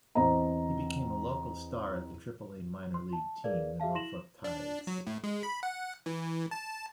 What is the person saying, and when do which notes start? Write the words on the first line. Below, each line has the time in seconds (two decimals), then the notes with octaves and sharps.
He became a local star at the Triple-A minor league team, the Norfolk Tides.
0.15 E2 C4 C5 D#5 A#5
2.94 C6
3.13 A5
3.44 G#4 A#4 B4 D5 F5
3.80 F#4 G#4 E5 F5 A5
3.95 E4 C6 A#6 E7 F#7
4.44 D4
4.87 F#3
5.07 A2
5.24 G#3
5.43 B5
5.63 F#5
6.06 E3
6.51 A5